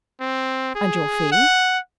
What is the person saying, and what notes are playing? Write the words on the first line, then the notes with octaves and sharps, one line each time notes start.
"And your fee?"
C4
G#4
F#5